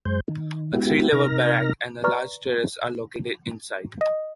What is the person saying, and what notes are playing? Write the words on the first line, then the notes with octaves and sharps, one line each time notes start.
A three level barrack and a large terrace are located inside.
F#2 G#3 C5 G6
D#3
G#3 B3 E4 F#4 G4
C3 D#4 A#4 F6 A#6
B4 D5 A#5 C#6 F6
D#5